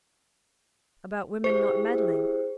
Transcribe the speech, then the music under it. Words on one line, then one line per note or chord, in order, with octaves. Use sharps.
'About women not meddling.
E4 G4 G#4 C5